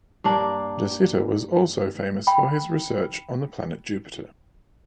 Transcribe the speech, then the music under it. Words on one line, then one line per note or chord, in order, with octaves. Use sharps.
De Sitter was also famous for his research on the planet Jupiter.
G2 A#3 D4
G5 B5